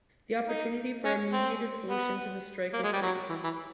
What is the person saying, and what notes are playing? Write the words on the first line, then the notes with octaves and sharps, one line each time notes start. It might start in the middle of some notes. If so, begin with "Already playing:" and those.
The opportunity for a mediated solution to the strike was brief.
D#4
C#4
C4
B3
A#3
G#3
G3
F#3
E3
E3